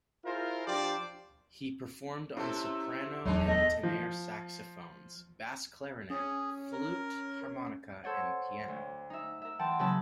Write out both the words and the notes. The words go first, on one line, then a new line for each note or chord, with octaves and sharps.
He performed on soprano and tenor saxophones, bass clarinet, flute, harmonica and piano.
E4 F4 G#4 A#4 C5
F3 D4 G4 C5 D5
C3 A3 C#4 E4 A4
D1 E2 F#3 G#3 A3 D4 D#4 C#5
B3 G#4 A4 D#5
F3
C#4 G#4
A#4
A4 C5 C#5 F#5
D2
D#4 E5
A#4 E5
E3 F#5 G5 A5 C6
C#3 F#3 A#3 B4 E5 A5